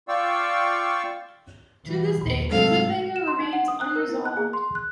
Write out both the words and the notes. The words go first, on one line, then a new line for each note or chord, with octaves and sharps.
To this day, the cliffhanger remains unresolved.
F4 D5 F5 G5 C#6 E6
E3 G3
A#1 D#2 B5
G#2 C3 F#3 A3 C4 A4 F5
E7
C6
D#4
F#5
D#6
F#6
A#4
E4
F#6
G#4
C6
F#6